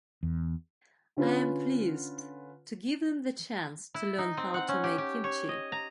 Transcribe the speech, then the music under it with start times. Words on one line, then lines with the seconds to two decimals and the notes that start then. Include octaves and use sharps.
I'm pleased to give them the chance to learn how to make kimchi.
0.23 E2
1.17 D3 C#4 F4 B4
3.94 E4
4.18 D#4
4.37 C4
4.54 F#5
4.68 C#4
4.84 G4
4.98 G4
5.24 C#5
5.49 D#5
5.72 A#5